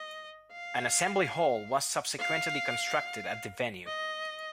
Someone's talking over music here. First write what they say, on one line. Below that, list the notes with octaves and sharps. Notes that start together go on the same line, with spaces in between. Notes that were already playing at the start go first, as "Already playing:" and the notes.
An assembly hall was subsequently constructed at the venue.
Already playing: D#5
F5
F5
D#5